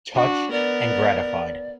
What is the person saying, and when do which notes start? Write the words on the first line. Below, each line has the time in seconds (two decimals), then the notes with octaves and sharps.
Touched and gratified.
0.14 D4 F#4
0.51 B3 A#4 D5